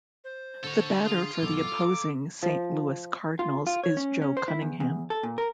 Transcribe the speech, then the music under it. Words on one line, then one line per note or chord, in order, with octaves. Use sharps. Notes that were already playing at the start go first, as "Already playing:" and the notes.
The batter for the opposing Saint Louis Cardinals is Joe Cunningham.
C5
D3 A4 C#5
F4 G#4
F#2 B2 E3 A4 D6
F5 A#5
F3
F4
F4
C#5
C#4
C#4
C5
E4
E2
E2
A4
A#2
A#4